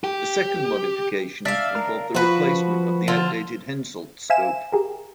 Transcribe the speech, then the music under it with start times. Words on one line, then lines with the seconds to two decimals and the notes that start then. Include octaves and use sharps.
The second modification involved the replacement of the outdated Hensoldt scope.
0.04 G4
1.45 D4 E5 F5
1.75 A#4
2.15 F3 F#4 B4
3.08 D3 F4
4.30 C5 E5 F5 G#5 E7
4.72 G4 G#4 A#4